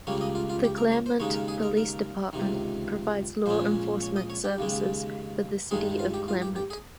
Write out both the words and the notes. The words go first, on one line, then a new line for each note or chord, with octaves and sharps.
The Claremont Police Department provides law enforcement services for the city of Claremont.
C#2 C#3 G3 A#3 C#5
D#5
F4
F4
G4
A#4
C#5
C5
D#2 C#3 G#3 D#4 C#5
A#4
G#4
A#4
A#4
C#2 C3 D#3
A#1 A#2 G#3 C#4 C5
C#5
D#5
C#5
G4
D#2 C#3 G#3
G2 D#3 G#3 G#4
F4
G4
F4
G4
G4
G#4